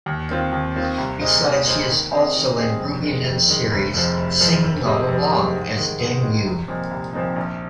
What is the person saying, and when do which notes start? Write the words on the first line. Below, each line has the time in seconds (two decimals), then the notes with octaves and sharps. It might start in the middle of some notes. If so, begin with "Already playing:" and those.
Besides, he is also in Ruby Lin's series "Singing All Along" as Deng Yu.
0.06 D#2
0.29 D#3 C4 F4
0.52 D#2
0.75 D#3 C4 F4
0.98 C2
1.20 A#2 G#3 D#4 C5
1.43 C2
1.66 A#2 G#3 D#4 C5
1.89 D#3
2.12 C4 G#4 D#5
2.35 D#3
2.57 C4 G#4 D#5
2.80 F2
3.02 D#3 G#3
3.26 F2
3.48 D#3 G#3
3.71 F1
3.94 F2 F3 G#3
4.17 F1
4.40 F2 F3 G#3
4.63 F2
4.86 C3 G#3 D#4
5.08 F2
5.32 C3 G#3 D#4
5.54 G#2
5.77 D#3 G#3
5.99 G#2
6.23 D#3 G#3
6.45 C2
6.68 A#2 F3 C4 D#4
6.91 C2
7.13 A#2 F3 C4 D#4
7.36 A#1